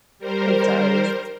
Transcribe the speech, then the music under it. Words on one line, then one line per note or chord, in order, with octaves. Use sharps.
It does.
G3 A#4 C5